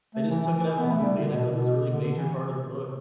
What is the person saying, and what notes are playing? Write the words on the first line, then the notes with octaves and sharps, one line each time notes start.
they just took it out completely, and I feel like that's a really major part of the book.
A3
E3
E3
E3
B3
A3
G3
D3
B2
B2
D3
E3